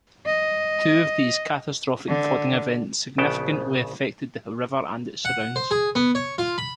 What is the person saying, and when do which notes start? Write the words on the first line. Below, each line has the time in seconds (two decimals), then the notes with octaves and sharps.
Two of these catastrophic flooding events significantly affected the river and its surrounds.
0.26 D#5
2.08 D3
3.18 A#1 C#3 B3 G5 A5
5.25 F#5
5.56 C5
5.71 G#4
5.95 B3
6.15 C#5
6.38 F4
6.58 B5